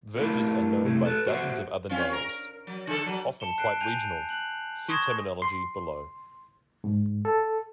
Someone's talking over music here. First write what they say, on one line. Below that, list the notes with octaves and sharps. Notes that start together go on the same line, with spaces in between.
Verges are known by dozens of other names, often quite regional; see Terminology, below.
A3 D4 E4 F4 G4 A#4
C3 A3 E4 G#4
A4 B4
F#4 G4 C5 C#5 E5 F#5
C4 C#4 F4
A#4
F#3
D3 A4
F#3
A5 C#7 E7 G7
F#6 C7 D7
G#5 G6 D7 F7
F#6 F#7
C6 C#6 D#6 G#6 A#6 E7
C6
G#2
A4